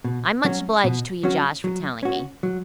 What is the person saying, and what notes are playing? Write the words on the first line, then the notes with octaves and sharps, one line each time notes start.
I'm much obliged to you, Josh, for telling me.
B2
F#3 C#4 F#4
B2
F#3 C#4 F#4
F#3
C#4 F#4
F#3